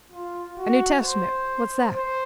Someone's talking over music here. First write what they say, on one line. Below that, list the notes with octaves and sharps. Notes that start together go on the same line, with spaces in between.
"A New Testament; what's that?"
F4
F#4
C5
C5